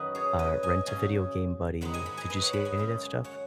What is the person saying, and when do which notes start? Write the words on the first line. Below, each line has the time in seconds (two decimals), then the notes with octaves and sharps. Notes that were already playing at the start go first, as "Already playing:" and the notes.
uh, rent-a-video-game-buddy. Did you see any of that stuff?
Already playing: F#2 D#3 F#3 D#4 F#4 B4
0.15 G#4 C#5
0.39 B4 D#5
0.63 D#5 G#5
0.86 C#3 F#3 C#4 D#5 G#5
1.81 G#2 D#3 G#3 D#4 F#5 B5
1.94 D#5 G#5
2.06 F#5 B5
2.17 D#5 G#5
2.30 B4 D#5
2.42 C#5 F#5
2.53 F#5 B5
2.65 D#5 G#5
2.77 F#2 C#3 G#3 C#4
3.24 C#5 F#5